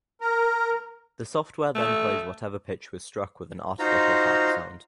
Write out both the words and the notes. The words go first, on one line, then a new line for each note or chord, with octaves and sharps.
The software then plays whatever pitch was struck with an artificial harp sound.
A#4
A3
D#4 F4 F#4 C5 A#5